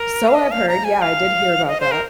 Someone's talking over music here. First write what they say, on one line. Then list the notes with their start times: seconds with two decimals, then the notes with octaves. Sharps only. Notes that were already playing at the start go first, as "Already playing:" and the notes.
So I've heard, yeah, I did hear about that.
Already playing: A#4
0.27 F5
0.34 D#5
0.51 F5
0.68 A#5
0.84 G#5
1.02 F5
1.68 D#5
1.80 C5
1.91 A#4